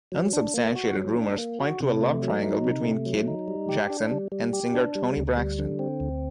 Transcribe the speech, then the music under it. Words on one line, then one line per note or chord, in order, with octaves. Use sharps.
Unsubstantiated rumors point to a love triangle between Kidd, Jackson, and singer Toni Braxton.
F#3
D4
A#3
F#4
F#3
D4
A#3
F#4
C3
A3
F#3
D#4
C3
A3
F#3
D#4
G3
G4
D4
G3
G3
G4
D4
G3
D2
G3
D3
C4
D2